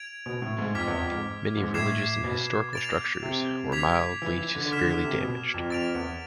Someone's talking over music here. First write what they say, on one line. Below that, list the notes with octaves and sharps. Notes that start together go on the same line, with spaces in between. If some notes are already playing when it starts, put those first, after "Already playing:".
Many religious and historical structures were mildly to severely damaged.
Already playing: G#6 D7 F7
B2
A2
G#2
F2 D6 F6 G#6 B6
E2
F2
G#2
G#2
A2 D6 G#6 C7 E7
B2
A6 D7 F7
C3
D6 G#6 B6 F7
E3
E3
D3
D3 D6 F6 B6 E7
D3
C3
B2
F2
F2 A6 D7 F7
E2